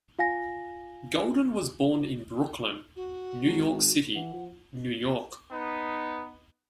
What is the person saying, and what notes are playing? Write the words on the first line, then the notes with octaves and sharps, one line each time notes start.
Golden was born in Brooklyn, New York City, New York.
F4 F5 G#5 A#6
F#4
G#1
E3 F#5
F3
B3 D#4 B4